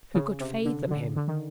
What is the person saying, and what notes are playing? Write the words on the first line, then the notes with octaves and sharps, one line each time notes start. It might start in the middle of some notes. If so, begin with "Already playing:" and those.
Who could fathom him?
C#3
C3
D3
D3
D3
D#3